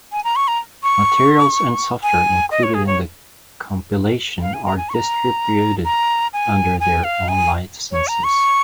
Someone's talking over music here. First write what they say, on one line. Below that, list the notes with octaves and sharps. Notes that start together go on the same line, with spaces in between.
Materials and software included in the compilation are distributed under their own licenses.
G#5
A#5
C#6
A#5
C#6
G#5
D#5
C#5
G#4
C#5
F5
G#5
A#5
G#5
C#6
A#5
A#5
G#5
G#5
F5
G#5
C#5
A#5
C#6